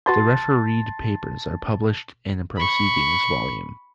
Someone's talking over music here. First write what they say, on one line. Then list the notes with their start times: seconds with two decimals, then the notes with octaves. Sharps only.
The refereed papers are published in a proceedings volume.
0.06 F#4 B4 A5 C6 G6 A6
2.56 B5 C#6